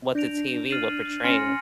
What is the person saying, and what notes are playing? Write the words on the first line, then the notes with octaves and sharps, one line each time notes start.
what the TV would portray.
D4 G6 A#6 D7 F7
F6 A6 C7 D#7 F#7
C#4 G#5 C6 F6 A#6 C#7